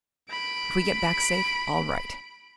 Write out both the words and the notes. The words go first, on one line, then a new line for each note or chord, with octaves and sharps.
If we get back safe--all right.
B5 D7